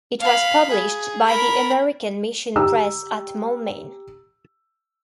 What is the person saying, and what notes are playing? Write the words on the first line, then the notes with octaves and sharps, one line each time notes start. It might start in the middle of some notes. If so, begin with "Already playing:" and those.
It was published by the American Mission Press at Moulmein.
F5 B5
G#4
A#4 B5
G4 A#5 E6